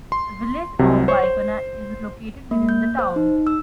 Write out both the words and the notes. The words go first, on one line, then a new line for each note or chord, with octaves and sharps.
The Village of Wyocena is located within the town.
C6
C2 C3 F#3
C5 C#5 C#6
C5
A#3
G6
C5
D#4
E6